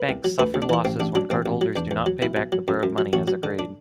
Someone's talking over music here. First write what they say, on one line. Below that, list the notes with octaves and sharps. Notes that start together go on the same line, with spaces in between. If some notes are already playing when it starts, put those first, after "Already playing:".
Banks suffer losses when cardholders do not pay back the borrowed money as agreed.
Already playing: B4
C2
F#3
D2 B4
D2
D4
E3 E4
A1 C4
A1 D4
F#3 D4
A1 C4
A1
F#3
E2 D4
E2
F#3
B1 E4
B1
F#3
F#2
F#2
F#3
A1 F#4
F#3
D3
D4